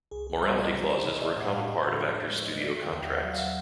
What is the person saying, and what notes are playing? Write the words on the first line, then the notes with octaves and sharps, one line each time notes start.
Morality clauses were a common part of actors' studio contracts.
C2 G#4
G#4
G3 C5 D5
C#5 D#5
C3
C5 D5
C3 C#5 D#5
D5 E5
A2 E5 F#5
D#5 F5
A2 D#5 F5
A4 B4
F3 G#4 A#4
A#4 C5
G#3 B4 C#5
C#5 D#5
D3 D5 E5
F5 G5
D#2
E5 F#5
F#3 E5 F#5
F5
E5 F#5